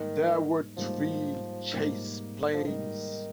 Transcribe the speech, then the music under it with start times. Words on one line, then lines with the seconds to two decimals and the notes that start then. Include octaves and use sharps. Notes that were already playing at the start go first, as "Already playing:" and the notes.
There were three chase planes.
Already playing: G#2 D#3 G3 A#3 D#4
0.77 G#2 F3 G3 A#3 D#4
1.72 G#2 G3 A#3 D#4
2.54 F3
2.67 G#2 D#3 G3 A#3 D#4